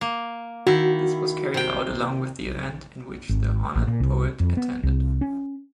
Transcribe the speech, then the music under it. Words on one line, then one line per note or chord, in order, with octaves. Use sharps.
This was carried out along with the event in which the honored poet attended.
A#3
D#3 E4 F#4
C3 G5
G#1
A1
A#2
C2
F2
B3
C2
C#4